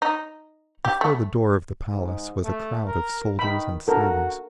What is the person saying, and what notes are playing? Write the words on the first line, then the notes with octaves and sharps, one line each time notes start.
Before the door of the Palace was a crowd of soldiers and sailors.
D#4
G4
A3
G#2
A3
A#4
D#3 B5
F#4 A4 A#4